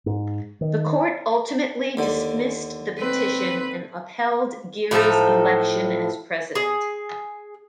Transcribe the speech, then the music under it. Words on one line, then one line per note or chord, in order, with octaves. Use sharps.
The Court ultimately dismissed the petition and upheld Giri's election as President.
G#2
D#3
D#2 D3
C4 B4
A2 F3 A4 A#5
G#4